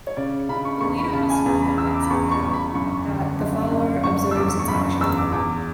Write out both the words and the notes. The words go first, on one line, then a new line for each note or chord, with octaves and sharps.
The leader must know "ex ante" that the follower observes its action.
C#5
C#3 D5
C#3 B5
C#6
E2 C#6
B5
B5
C#3 A5
G#5
E2
B5
E2 E6
D6
B5
E2 C#6
C#6
E2
B5
F#1 C#6
D3
F#1
F#1
F#1 C#6
E6
E2 D6
C#6
F#1 B5
C#6
E2 E6
D6
E2 D6